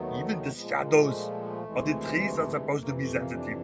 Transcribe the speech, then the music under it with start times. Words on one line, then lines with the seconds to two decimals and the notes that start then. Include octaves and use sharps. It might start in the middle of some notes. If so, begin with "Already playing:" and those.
Even the shadows of trees are supposed to be sensitive.
Already playing: D#2 D#3 F#3 A3 B3
0.51 A#2 F3 G#3 B3
0.65 C4
0.79 A#3
0.93 A3
1.64 D2 C3 E3 G#3
2.20 A3
2.76 F2 C3 E3 A3 A#3
2.95 A3
3.14 A#3
3.32 D4